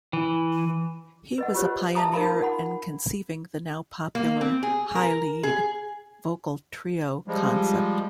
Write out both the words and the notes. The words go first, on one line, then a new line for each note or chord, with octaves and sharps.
He was a pioneer in conceiving the now-popular "high lead" vocal trio concept.
E3
B4 D#5 F#5
F4 G4 C5 C#5
E5 A5 A#5 D#6
D#4 F4 A#4 F5 B5
C#4
F#5 B5
A#3
C4
G#4
A#4
G#4
F3 G3 G#3